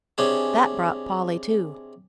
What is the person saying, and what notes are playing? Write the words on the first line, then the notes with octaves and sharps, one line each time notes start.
That brought Polly to.
C3 C#4 D4 G#4